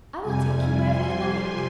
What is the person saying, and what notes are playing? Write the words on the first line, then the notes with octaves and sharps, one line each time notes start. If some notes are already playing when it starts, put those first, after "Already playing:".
"I will take you wherever you like."
F2 C3 G3 G#5
C6
C6